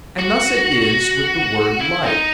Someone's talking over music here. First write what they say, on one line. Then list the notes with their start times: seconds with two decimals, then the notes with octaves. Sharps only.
And thus it is with the word light.
0.19 F#4
1.81 E4
2.03 C4
2.06 D#4